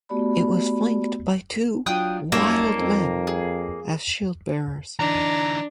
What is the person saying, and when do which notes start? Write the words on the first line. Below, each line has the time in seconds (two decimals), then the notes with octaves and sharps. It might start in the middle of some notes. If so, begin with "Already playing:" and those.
It was flanked by two "wild men" as shield bearers.
0.09 A3 B3 F#4 G4 D5 B5
1.86 F#3 D4 F4 G5 D#6 F#6
2.32 F#2 G3 A#3 D#4 A4 C#5
2.77 F2
3.27 G#4
4.99 E3 D4 D#4 A#5